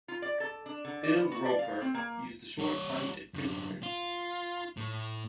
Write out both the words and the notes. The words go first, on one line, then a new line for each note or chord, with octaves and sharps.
Bill Roper used the short punt at Princeton.
F4
D5
A4
D4
D3
D5
B3
F#4
D5
F5
C4
A#3
G3 C#5
F#2 D3
F4
A2